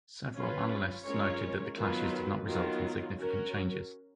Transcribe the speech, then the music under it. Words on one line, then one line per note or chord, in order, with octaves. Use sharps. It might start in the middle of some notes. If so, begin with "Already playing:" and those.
Several analysts noted that the clashes did not result in significant changes.
C#4 F4 B4
G#3 C#4 F4 A#4 C#5
D#3 F#3 B3 F4 B4
D#3 F#3 B3 F4
C#4 F#4 A#4